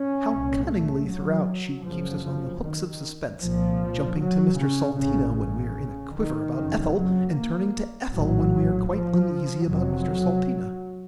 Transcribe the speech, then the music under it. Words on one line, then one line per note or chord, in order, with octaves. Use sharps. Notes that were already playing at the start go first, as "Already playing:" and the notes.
How cunningly throughout she keeps us on the hooks of suspense, jumping to Mr Salteena when we are in a quiver about Ethel, and turning to Ethel when we are quite uneasy about Mr Salteena.
Already playing: C#4
C2 A#2
A3
F#3
F#1 F#2 C#3 F3
F3
D#3
C2 A#2 F3
F#3
C#3
A1 A2 C#3
C#3
D#3
F#1 F2 C#3
F#3
A#3
A#1 A2 F#3
F3
F1 F2 C3 F#3